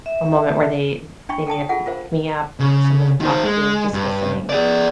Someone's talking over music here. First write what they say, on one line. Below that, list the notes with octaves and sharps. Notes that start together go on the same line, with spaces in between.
a moment where they th they need a p a pick-me-up or someone to talk to, just listening.
E5
D4 G5 B5 C#6
A4 G5 A5 D#6
F4 G#4 A4 F#5
F4 A#4 C5 F5
C#3
D#3 C5
G#3
G2
G#4 D5